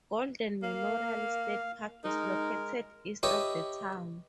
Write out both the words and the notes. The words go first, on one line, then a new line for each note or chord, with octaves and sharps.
Golden Memorial State Park is located east of the town.
A#3 F5
G#3 D#4 A#4
G4 B4 C#5 D#5 E5